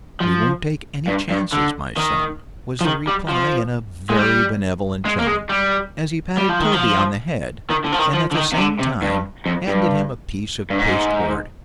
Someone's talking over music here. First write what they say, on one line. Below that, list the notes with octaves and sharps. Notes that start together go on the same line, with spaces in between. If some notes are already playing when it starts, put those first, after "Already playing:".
"We won't take any chances, my son," was the reply, in a very benevolent tone, as he patted Toby on the head, and at the same time handed him a piece of pasteboard.
F3
G2
G2
D3
D#3
F3
D#3
G3
F3
G#3
G3
G#3
A#3
G#3
G3
G3
F3
D#3
F3
D#3
D3
F3
D#3
F3
D3
D#3
C3
D3
C3
G2
F2
G2
G2
G#2